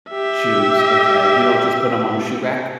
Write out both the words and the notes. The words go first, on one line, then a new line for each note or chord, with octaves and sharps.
Shoes, okay, you don't just put 'em on shoe rack?
G4 E5